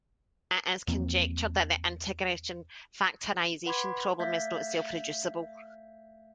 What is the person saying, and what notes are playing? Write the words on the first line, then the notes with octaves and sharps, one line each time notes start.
It is conjectured that the integer factorization problem is not self-reducible.
E2 F3 A#3 C4
B4 F#5 B5 C6 D6 G#6
A3 E5 F5 G6 G#6 B6